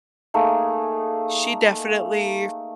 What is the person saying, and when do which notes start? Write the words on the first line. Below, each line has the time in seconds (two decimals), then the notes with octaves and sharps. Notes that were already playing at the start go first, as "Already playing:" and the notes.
she definitely,
0.34 A3 A#3 D#4 G#4